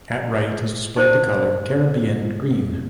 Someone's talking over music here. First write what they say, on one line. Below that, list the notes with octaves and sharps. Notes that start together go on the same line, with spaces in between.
At right is displayed the color Caribbean green.
D#4 C5